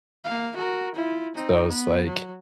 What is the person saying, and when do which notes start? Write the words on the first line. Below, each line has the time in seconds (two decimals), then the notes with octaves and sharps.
So, it's, like,
0.24 A#3 F5
0.56 F#4 A#4
0.95 E4 F4
1.35 C4 D#4
1.68 B3
2.06 F#3